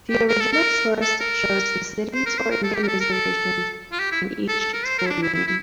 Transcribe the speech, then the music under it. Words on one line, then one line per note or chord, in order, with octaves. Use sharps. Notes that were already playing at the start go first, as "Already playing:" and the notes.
The original source shows the cities or Indian Reservations in each School Union.
G4
A#4
A4
A#4
A4
A#4
C5
A#4
C5
A#4
A4
G4
A#4
A4
A#4
A4
F4
G4
E4
A4
A4
A#4
C5
A#4
E4
D4
E4
E4
E4